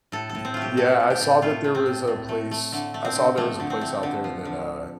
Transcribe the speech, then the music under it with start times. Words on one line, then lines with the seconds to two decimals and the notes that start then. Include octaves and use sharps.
Y Yeah, I saw that there was a place I saw there was a place out there that, uh
0.12 A2 A4
0.29 A4
0.35 A2
0.45 C4
0.54 A3 F4
0.62 G4
0.77 A3 A4
1.00 A2
1.10 G4
1.21 A2
1.42 A3 F4
1.64 A3
1.75 C4
1.86 A2
2.07 A2
2.29 A3
2.51 A3
2.72 D3 A3
2.94 A3
3.05 C4
3.15 D3
3.37 F3 A3
3.60 D3
3.70 C4
3.81 A3
4.03 D3
4.24 F3
4.45 D3